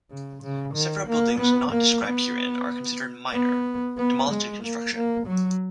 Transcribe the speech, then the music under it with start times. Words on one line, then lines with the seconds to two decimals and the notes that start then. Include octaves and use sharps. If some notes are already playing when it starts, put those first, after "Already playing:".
Several buildings not described herein are considered minor, demolished in construction.
0.10 C#3
0.42 C#3
0.74 D#3
1.07 A#3
1.39 B3
1.71 A#3
2.04 B3
3.33 B3
3.98 B3
4.30 G#3
4.63 A#3
4.94 A#3
5.27 F#3